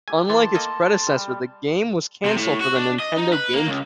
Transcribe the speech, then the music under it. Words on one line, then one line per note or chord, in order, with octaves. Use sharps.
Unlike its predecessor, the game was cancelled for the Nintendo GameCube.
A3 G4 G#5
E3 A5 C6
A#3 A4 D#5
G3
C3
A2
F#4
D4
D#5
D#4
B4
A#3
C#2